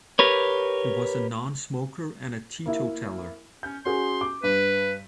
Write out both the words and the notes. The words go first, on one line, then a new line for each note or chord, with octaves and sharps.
He was a non-smoker and a teetotaller.
G4 A#4 B4 C#5
A#3 E4
C#4 G6
C#4 F#4 G#4 C6
D6
G2 B4